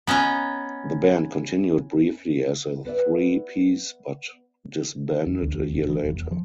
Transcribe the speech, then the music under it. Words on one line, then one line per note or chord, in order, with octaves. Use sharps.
The band continued briefly as a three piece but disbanded a year later.
B3 C#4 D#5 A#5
B3 B4 D5 E5
E2
D2
D#2
E1
E3
D#1
E2
F3